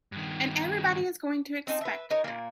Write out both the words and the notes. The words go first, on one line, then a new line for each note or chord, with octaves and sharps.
And everybody is going to expect that.
G2 D#3
C4 D#4 A5
B4 E5
D#4 A#4 C#5
A#2 A#3